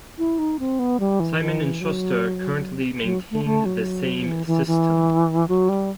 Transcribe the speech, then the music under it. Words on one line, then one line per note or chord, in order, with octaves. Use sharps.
Simon and Schuster currently maintain the same system.
E4
D#4
C4
B3
G3
E3
D#3
E3
F#3
F#3
A3
A3
F#3
E3
E3
E3
F#3
G3